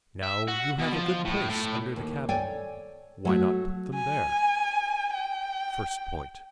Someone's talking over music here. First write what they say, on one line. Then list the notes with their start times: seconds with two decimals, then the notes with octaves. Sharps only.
Now, you have a good place under the cabin; why not put them there?--first point.
0.23 E5
0.48 F#4
0.79 B2
0.93 F3
1.25 A2
1.50 A2
1.96 D#2
2.29 A4 C#5 D5 G5 G#5
3.25 F#3 A3 F#4
3.95 G#5
5.14 G5